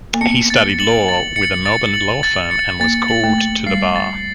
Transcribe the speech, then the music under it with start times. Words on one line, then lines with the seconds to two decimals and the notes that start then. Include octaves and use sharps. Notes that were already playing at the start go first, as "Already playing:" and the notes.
He studied law with a Melbourne law firm and was called to the bar.
0.14 A#3
0.21 B3 C#7
0.50 A6
0.80 F#7
1.08 A6
1.36 C#7
1.66 A6
1.94 F#7
2.23 A6
2.51 C#7
2.80 A#3 A6
3.08 F#7
3.24 A3
3.38 A6
3.66 G3 C7
3.96 A6